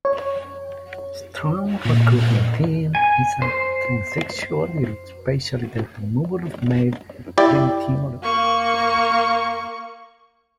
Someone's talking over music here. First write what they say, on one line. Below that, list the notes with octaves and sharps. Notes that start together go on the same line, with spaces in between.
A strong recurring theme is transsexuality, especially the removal of male genitalia.
C#5
A#2
G#5
C5
E4 G4 D5
A#3 C#6